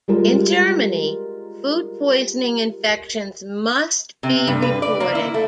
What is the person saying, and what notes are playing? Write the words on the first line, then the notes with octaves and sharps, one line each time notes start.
In Germany, food poisoning infections must be reported.
G3 G#3 F4 A#4
C3
G2
B4
D5
A#3
E4
A3